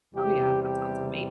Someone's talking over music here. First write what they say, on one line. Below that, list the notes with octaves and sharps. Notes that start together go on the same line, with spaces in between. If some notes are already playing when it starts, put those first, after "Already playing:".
Oh yeah, that sounds amazing
E2 C3 G3 G4
G4